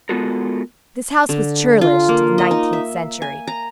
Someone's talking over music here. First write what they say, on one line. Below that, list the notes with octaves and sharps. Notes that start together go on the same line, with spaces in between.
This house was churlish to the nineteenth century.
G#3 B3 F4 F#4 A4 A#4
D3
F4
A#3
D#5
D#4
E5
G#5
A#5